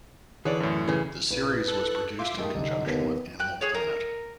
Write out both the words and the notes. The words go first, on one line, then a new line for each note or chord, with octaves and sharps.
The series was produced in conjunction with Animal Planet.
D3 E3 G#4 C#5 D5
F#2 A2
C#3 E3
A#1 E4 B4
A4 F#6
F4 E5 C6 D6
D#3 G#3 A3 G4 D#5
C2 D3 D#4
D#2 B3
G5 F#6
G#4 C#5
A#4